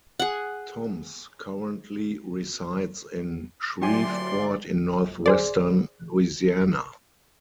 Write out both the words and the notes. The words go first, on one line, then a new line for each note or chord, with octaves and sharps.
Toms currently resides in Shreveport in northwestern Louisiana.
G#4 F#5
D2 A#2 F#3 E4 G4 D5 G#5 C6
G#4 C5 D5